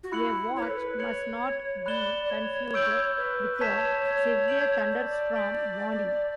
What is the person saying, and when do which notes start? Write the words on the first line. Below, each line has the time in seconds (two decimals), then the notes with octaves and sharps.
A watch must not be confused with a Severe Thunderstorm Warning.
0.04 F#4
0.11 E4 B5 F#6 C#7 F#7
0.56 C#5
0.62 B4
0.70 A4
0.77 B4
0.99 C#5 F#6 C#7 F#7
1.86 D5 B5 F#6 A6 E7 G7
2.25 D5
2.30 C#5
2.74 C#6 E6 G6 D7 F#7
3.17 B4
3.53 B4
3.60 C#5 A5 C#6 G6 B6 E7
4.04 C#5
4.48 G6 D7 F#7
4.92 D5
5.35 G6 B6 D7 F#7